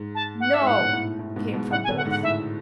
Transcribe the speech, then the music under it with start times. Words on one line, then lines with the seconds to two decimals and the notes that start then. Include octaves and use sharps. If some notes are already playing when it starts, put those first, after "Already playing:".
"No," came from both.
Already playing: G#2
0.15 A5
0.40 F#5
0.54 E5
0.62 G#2
0.67 A2 F#5
0.79 G#2 B2
0.93 A2
1.19 A2
1.36 G#2 B2
1.53 G#2 B2
1.70 A2 C#3 F#5
1.84 G#5
1.88 B2 D3
1.97 F#5
2.05 G#2
2.10 F#5
2.23 A2 E5